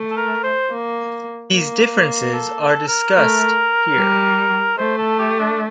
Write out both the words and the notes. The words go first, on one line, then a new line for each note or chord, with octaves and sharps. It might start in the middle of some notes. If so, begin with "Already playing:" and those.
These differences are discussed here.
Already playing: A3
A4
A#4
C5
A#3
A#3
A4
A4
A#4
A3 A#4
G3
A3 C5
A4
G4
D4